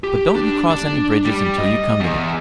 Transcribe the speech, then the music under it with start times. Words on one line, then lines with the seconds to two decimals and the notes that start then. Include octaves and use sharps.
But don't you cross any bridges until you come to them.
0.04 G4
0.35 D4
0.70 D4
1.26 G3
1.58 D#5
2.00 E2